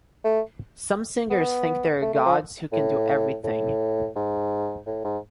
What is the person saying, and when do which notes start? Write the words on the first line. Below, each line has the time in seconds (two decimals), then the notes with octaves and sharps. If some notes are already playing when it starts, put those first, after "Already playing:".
Some singers think they are gods who can do everything.
0.24 A3
1.30 B3
2.02 A3
2.14 A3
2.26 F3
2.73 A2
3.44 A2
4.16 G#2
4.86 A2
5.04 G#2